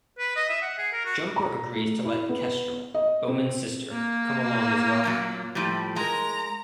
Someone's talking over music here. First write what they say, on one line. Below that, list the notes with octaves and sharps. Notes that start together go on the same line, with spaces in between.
Jumper agrees to let Kestrel, Bowman's sister, come along as well.
B4
D#5
E5
F#5
G#4
A#4
F#4
A#5
A3
E4
B3
D#5
C4
A#3
F#2 A#2 F#3
A2 F3 G3
G#3 A#4 A#5